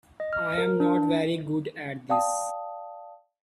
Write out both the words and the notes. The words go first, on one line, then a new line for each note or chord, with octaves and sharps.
I'm not very good at this.
D#5
F6
A#4
D4
D5 F5 G5 A5 D#6